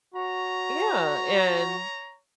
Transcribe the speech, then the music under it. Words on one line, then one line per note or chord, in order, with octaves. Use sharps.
Yeah, and
F#4 C#5 A#5